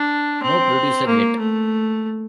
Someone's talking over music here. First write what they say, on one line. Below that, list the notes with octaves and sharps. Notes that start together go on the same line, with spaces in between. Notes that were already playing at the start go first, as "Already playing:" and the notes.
No producer yet.
Already playing: D4
C4
A#3
A3